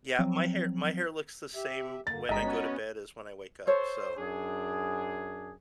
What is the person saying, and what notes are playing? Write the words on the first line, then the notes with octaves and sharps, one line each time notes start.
Yeah, my hair my hair looks the same when I go to bed as when I wake up, so,
F3 F#3 C4
G4 E5
G2 D3 A#3 A6
G1 E3 G#3 D#5 G5 A#5 B6
B3 C#4 F#4 C#5
A4 C5 C#5
F#2 D4 G#4